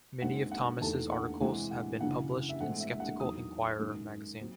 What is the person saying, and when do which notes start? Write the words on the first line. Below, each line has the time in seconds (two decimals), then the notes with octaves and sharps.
Many of Thomas' articles have been published in Skeptical Inquirer magazine.
0.22 F#2 D#3 G#3 C4 F#5
0.52 F#5
0.81 E2 D#3 A3 A5
1.12 F#5
1.41 C3 E3 G#3 C4 F#5
1.71 F#5
2.00 F#2 C#3 E3 F#5
2.49 E5
2.60 A2 E3 G#3 C4 F#5
2.80 E5
3.00 F#5
3.20 E2 D#3 F#3 D#6
3.79 F#2 D#3 G#3
4.39 F#3 C4